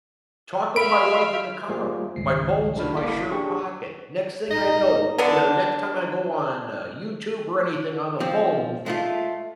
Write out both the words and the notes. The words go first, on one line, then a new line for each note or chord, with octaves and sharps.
talking to my wife in the car, my phone's in my shirt pocket, next thing I know you know, next time I go on, uh, YouTube or anything on the phone
E5 F5 B5 D7
G3 A3 A#3 F4 G#4 C5
G#1 C#2 C7
C2 A3 D4 F#4 B5 F6
G1 A#3 E4 A4 D6 B6
D4 G4 G#4 C#6
D#4 D#5
D3 B3 D4
F3 C4
F3 G#3 A3 F4 E5